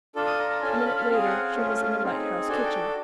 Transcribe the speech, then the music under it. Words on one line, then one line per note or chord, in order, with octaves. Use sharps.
A minute later she was in the lighthouse kitchen.
D4 F4 A4
D#6
A#5
A#5
C#4 F4 A4 G#5
A5
B5
F5
C4 F4 G#4 F5
F#5
A3 C#4 F4
C4 D#4 G#4
D4 F#4 A4 G#5
G5